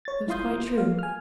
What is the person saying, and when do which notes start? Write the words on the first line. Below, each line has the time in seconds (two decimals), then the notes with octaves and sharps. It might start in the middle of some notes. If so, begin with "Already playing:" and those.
It was quite true.
0.05 C#5 A6
0.28 E4 F4 F5 C6 D#6 G6
0.78 F5
0.99 G#5 F6